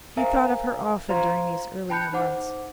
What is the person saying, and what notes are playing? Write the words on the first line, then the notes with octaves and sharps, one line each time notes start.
He thought of her often during these earlier months.
A#4 C5 E5 F5 G#5 A#5
F4 C5 F5 A#5 C6 G#6
G5 A5 B5 F#6 G6 C#7
D#4 C5 F#5 D6